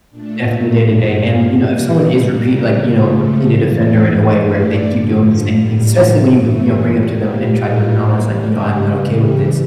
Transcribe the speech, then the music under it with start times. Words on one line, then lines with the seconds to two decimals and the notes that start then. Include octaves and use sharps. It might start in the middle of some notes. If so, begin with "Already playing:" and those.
definitely day to day, and, you know, if someone is repeat like, you know, a repeated offender in a way where they keep doing the same things, especially when you you know, bring up to them, and try to acknowledge, like, "You know, I'm not okay with this,"
0.10 A#2 A3 D4
0.78 G2 F3 A#3 D4
1.44 A#2 G3 A#3 E4
1.79 G4
2.12 C#3 G3 A#3 A4
2.45 E4
2.79 C#3 F3 A3 F4
3.46 F2 E3 A#3 D5
3.81 D5
4.13 G2 E3 A3
4.48 D5
4.81 G2 D3 F3
5.49 A2 G3 A#3
5.82 C#5
6.15 G2 E3 A3
6.48 C#5
6.82 A#2 G3 A#3 F4
7.16 G4
7.50 A2 G3 A#3 F4
8.16 C#3 G3 A#3
8.50 G4
8.85 C#3 E3 G3
9.18 G4